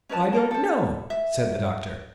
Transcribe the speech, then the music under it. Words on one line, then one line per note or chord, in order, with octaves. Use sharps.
"I don't know," said the doctor.
C#4 B4 C#5 A5
A4 A#4 A5
A4 C5
E5